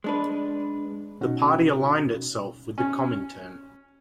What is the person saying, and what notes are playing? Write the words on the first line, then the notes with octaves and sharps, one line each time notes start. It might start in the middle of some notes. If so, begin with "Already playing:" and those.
The party aligned itself with the Comintern.
G#3 D4 B4
B2 C#4 D#4 F#4
C#4